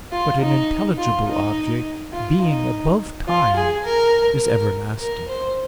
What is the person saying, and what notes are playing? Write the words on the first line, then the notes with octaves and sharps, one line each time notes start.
But an intelligible object, being above time, is everlasting.
F4
D#4
F4
D#4
F4
D#4
F4
G#4
A#4
A#4
A#4
C5